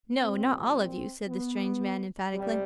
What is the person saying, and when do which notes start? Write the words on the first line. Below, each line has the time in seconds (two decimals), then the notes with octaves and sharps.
'No, not all of you,' said the strange man emphatically.
0.21 A#2 G3 C4
0.75 C4
1.28 B3
2.34 C3 G3